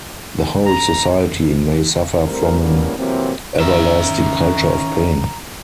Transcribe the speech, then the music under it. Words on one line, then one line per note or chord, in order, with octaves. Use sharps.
The whole society may suffer from an everlasting culture of pain.
A#5
A#1 A2 G3 C4 A#4
A2 D3 G3 A#3 B3 C#4
C3 E3 F#3 A#3 C4
D#3 C#4 E5 A#5